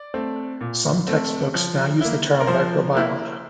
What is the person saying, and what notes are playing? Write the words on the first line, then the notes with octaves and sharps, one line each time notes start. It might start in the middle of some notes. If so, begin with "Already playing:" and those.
Some textbooks now use the term microbiota.
Already playing: D5
A3 C4
A#2
A3 C4
F3
A#3 E4
A#4
F3 C5
A#3 E4